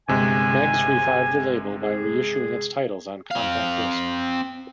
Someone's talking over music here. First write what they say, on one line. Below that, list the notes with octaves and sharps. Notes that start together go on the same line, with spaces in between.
Meggs revived the label by reissuing its titles on Compact Disc.
G1 C3 G#3 G#5
G#4
C4 F5